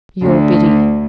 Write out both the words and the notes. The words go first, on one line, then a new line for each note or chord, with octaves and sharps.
Your BIDDY.'
D2